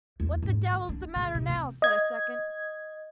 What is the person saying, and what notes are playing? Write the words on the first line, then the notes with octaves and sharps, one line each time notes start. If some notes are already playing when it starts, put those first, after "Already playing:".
"What the devil's the matter now!" said a second.
E2
G#2
D3
D4
C#3
C3
C4
D#5 G#6